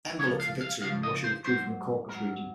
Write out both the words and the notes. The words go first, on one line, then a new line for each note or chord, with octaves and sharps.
Enver looked for victory when Russia withdrew from the Caucasus region.
C#2 C#3 F3 C#5
F5
F5
C#2 C#3 F3 F5
D#5
C5
G#2 F#3 C5
G#2 F#3 A#4